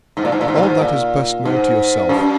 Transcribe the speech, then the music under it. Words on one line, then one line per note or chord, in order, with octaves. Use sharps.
All that is best known to yourself.
G#2
A#2
G#2
A#2
G#2
A#2
G#2
A#2
G#2
F#2